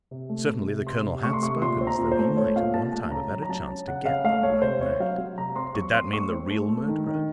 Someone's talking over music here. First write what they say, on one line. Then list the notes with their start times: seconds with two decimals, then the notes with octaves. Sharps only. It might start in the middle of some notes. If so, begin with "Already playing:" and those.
Certainly the colonel had spoken as though he might, at one time, have had a chance to get the "right man." Did that mean the real murderer?
0.11 C3
0.29 A3
0.49 C3
0.68 C3
0.87 C3 C6
1.05 C3
1.23 A3 C#6
1.33 C6
1.42 C3 C#6
1.62 A#2 C6
1.81 C4
1.87 A#5
1.99 A#2
2.11 C5
2.18 A3
2.37 A3 C#5
2.56 A#2 F5
2.74 A#2 A5
2.93 A3 A5
3.11 C#3 A#5
3.31 F#3
3.43 A#5
3.49 F#3 A5
3.68 C#4
3.88 C#3 F#5
4.05 C#3 F5
4.24 A3 F5
4.43 A3 C#5
4.62 C3 C5
4.81 C4 C#5
5.00 F#3 F5
5.18 F#3
5.38 C3 A#5
5.56 C4 C6
5.75 F#3 C#6
5.94 C4 C6
6.13 A3 C#6
6.32 C4
6.50 A3
6.69 A3
6.88 D#3
7.06 D#3